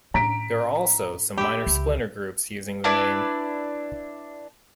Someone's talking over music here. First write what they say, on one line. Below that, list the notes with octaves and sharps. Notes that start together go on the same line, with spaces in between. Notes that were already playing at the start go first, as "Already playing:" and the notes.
There are also some minor splinter groups using the name.
A2 C#4 A#5 B6 D7
G4 E5 B5
C#2
D4 E4 B4 D5